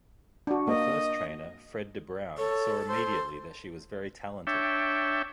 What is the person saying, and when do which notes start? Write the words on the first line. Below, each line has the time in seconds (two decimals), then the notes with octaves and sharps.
Her first trainer, Fred Debruyn, saw immediately that she was very talented.
0.47 D4 F#4
0.68 A#3 D#5
2.38 A4 C#5
2.89 C5
4.47 D4 C#5 E5 G5